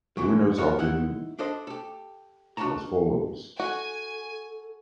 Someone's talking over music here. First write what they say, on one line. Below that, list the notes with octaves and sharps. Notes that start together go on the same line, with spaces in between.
The winners have been as follows.
D3 E3 F#3
F4 F#4 A#4 C#5 D#5
D#4 E4 F#5
D4 A4 C5 D#5
G4 A4
D4 F4 F#4 A5 A#5
F#4 A4 G#5